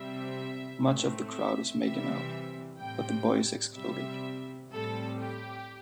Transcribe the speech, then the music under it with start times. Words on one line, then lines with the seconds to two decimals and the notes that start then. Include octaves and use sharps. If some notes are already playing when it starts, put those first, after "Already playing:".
Much of the crowd is making out, but the boy is excluded.
Already playing: C3 G3 C4 E5
0.87 A2 A3 C4
1.35 E5
1.83 C3 E3 G3 C4 E5
2.79 A2 G3 C4 G5
3.75 C3 G3 C4 E5
4.72 A2 G3 C4 A4
5.19 G4